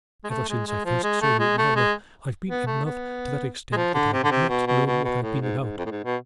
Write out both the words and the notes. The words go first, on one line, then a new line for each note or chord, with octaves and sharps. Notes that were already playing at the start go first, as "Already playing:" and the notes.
Ever since I first saw you at Yarmouth, I've been in love to that extent that I've not known what I've been about.
G#3
A3
G#3
G#3
F3
G#3
A3
G#3
A3
G#3
B3
A3
B3
G#3
F3
D3
C3
D3
C3
B2
B2
B2
B2
A2
G#2
G#2
F2
A2
G#2
B2